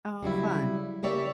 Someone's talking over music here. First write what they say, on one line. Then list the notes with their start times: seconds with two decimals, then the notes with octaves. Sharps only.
Oh, fun.
0.23 C#3 F#3 G3 E4
1.03 C#3 A#3 G4 C#5 D5 E5